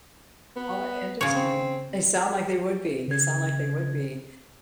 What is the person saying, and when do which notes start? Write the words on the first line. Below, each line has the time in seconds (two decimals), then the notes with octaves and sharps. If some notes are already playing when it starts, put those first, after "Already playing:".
how interesting, they sound like they would be they sound like they would be,
0.56 B3
1.21 C#3 C#5
1.34 C4
3.08 C#3 G#6